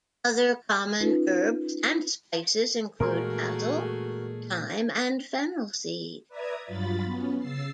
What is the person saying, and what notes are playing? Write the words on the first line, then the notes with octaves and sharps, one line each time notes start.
Other common herbs and spices include basil, thyme and fennel seed.
C#4 D#4 F4 B4
A#2 E3 G#3 A3 F#4 G#4 A#4
B4 D5 E5 A#5 D#6 G#6
G2 F#3 F4 B5 A6
B3 C#4
C#3 E6 A6 C7